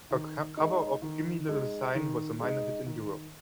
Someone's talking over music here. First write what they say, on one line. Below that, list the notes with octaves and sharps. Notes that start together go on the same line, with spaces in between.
Her cover of "Gimme Little Sign" was a minor hit in Europe.
D#3
G#3 D#4
D#3
G#3 D#4
D#3
G#3 D#4
D#3